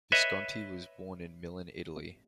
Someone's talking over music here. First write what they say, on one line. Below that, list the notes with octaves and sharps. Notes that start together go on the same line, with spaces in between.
Visconti was born in Milan, Italy.
B4 C#5 D#5 E5